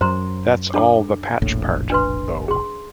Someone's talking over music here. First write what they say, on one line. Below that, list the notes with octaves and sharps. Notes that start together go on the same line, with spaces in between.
That's all the Patch part, though.
F#2 C5 A#5 C6
D4 A4 D6
F1 A#1 A2
D4 B4 C6
G#4 C6